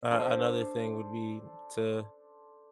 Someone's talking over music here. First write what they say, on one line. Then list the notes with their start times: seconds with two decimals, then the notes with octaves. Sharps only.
uh, another thing would be to,
0.11 D4 A4 C5